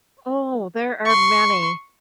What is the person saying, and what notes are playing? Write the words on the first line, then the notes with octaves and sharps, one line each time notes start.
Oh, there are many.
C6 C#6